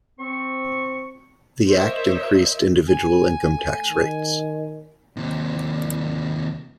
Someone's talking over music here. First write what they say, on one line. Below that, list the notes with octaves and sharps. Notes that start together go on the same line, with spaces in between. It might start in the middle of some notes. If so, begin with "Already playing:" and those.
The Act increased individual income tax rates.
C4 C#6
A#4 C5 C#5 D#5 E5
G#5
A3
D#3
D#2 C3